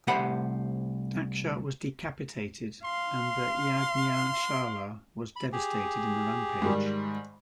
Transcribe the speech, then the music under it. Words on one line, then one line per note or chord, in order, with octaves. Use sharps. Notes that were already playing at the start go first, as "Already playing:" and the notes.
Daksha was decapitated and the "yagnja shaala" was devastated in the rampage.
C2 A3 G4 C5 F#5 B5
F5 C6
B5
G4 G#4
G#2 D#3 G3